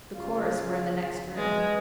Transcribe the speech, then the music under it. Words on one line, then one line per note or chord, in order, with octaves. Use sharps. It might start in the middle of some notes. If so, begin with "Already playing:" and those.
The chorus were in the next room.
C#3 F4 F5
G#3 F#4 B4